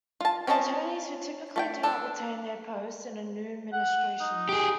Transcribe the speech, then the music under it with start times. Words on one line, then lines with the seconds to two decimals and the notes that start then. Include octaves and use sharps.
Attorneys, who typically do not retain their posts in a new administrations.
0.20 F4 A5
0.47 C4 C#4 C#5 D#5 A5
1.56 A3 D5 G5
1.83 D4 A4
3.72 F#5
4.20 D#4
4.49 G4 G#4